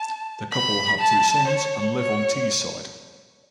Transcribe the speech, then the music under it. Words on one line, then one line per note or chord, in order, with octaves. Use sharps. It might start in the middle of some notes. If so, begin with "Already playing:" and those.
The couple have two sons and live on Teesside.
Already playing: A5
B5
A5
C#5
C#5